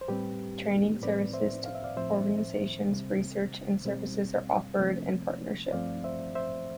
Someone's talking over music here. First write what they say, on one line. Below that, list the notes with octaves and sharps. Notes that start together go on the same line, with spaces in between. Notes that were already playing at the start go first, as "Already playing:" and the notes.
Training, services to organizations, research, and services are offered in partnership.
C5
A2 G3 C4 G4 B4
A2 F3 C4 B4 D5
C5 E5
F5
E5
D5 F5
A2 F3 C4 C5 E5
C3 G3 C4
B2 G3 C4
C3 F3 A3 C4
G2 F3 A3 C4 D5 F5
C5 E5
C5 E5